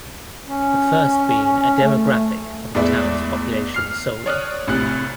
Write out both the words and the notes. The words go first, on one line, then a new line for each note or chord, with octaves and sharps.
The first being a demographic of the town's population solely.
C#4
A3
E2 A2 G#3 B4 D5 E5
F6 C7
C#5 D5 D#6 F6 F#6
A#1 A2 C3 F#6